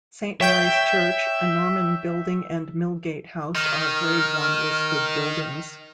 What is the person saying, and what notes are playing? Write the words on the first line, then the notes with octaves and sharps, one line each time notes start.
Saint Mary's church, a Norman building and Milgate House are Grade One listed buildings.
C#5 E5 G5 G6
D#3 F6